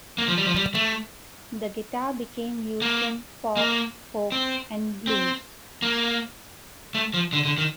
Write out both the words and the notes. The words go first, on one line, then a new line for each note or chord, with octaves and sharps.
The guitar became used in pop, folk, and blues.
A#3
F3
G3
F3
G3
A3
A#3
A#3
C4
C4
A#3
A3
F3
D3
D3
D#3